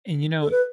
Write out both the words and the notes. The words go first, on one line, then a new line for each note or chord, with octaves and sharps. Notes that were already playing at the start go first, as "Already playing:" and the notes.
and, you know
A4
B4